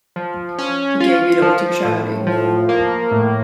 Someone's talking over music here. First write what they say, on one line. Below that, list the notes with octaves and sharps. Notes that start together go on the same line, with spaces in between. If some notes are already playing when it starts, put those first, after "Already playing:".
He gave it all to charity.
F3
C#4
F4
F3
A2
F3
A#3
A2